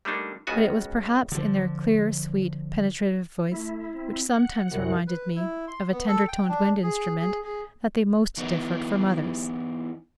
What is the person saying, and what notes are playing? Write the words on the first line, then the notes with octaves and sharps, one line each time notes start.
But it was perhaps in their clear, sweet, penetrative voice, which sometimes reminded me of a tender-toned wind instrument, that they most differed from others.
G3 A3 A#3 D4 D#4
C#2 C#3 B3 F#4 G#5
D3 F3
A3 E4
C4
F#5 F#6
C2 F#2
B4
E4
C6
B3
A4
G5
D4
G#4
G#4
G#4
E3 B3 D#4 E4